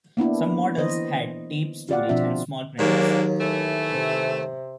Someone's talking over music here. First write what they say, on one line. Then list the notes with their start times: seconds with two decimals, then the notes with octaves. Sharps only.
Some models had tape storage and small printers.
0.17 A#3 B3 D4 E4
0.78 E3 C5 D#5
1.89 F4 G4 D5 F5 F#5
2.09 B2 F3 C4 D4 F4 E5
2.79 D#2 G#2 F#3 A#3 D4
3.39 E3 A3
3.90 C3